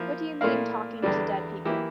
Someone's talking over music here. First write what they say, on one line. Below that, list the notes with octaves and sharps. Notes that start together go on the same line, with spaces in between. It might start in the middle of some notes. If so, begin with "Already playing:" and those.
What do you mean talking to dead people?
Already playing: F3 A#3 E4
A#2 A3 E4 A#4 F5
E2 D3 G3 D4
E3 A#3 E4 G4